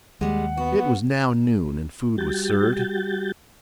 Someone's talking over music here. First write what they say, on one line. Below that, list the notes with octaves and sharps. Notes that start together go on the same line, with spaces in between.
It was now noon, and food was served.
D#2 G3 G#3 F#5
B3 F#4
G3 F#4 G4 G6 A6